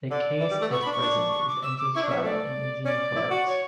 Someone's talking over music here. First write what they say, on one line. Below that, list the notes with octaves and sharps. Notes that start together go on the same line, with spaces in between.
The case at present is under trial in Indian courts.
D3 D5
E3
G3
A3
B3 C#6
B5
D4
C#6
D4
C#6
D6
E6
D6
E4 C#6
D4
C#4 E5
B3
A3 D5
C#4 D5
E4
F#4
C#5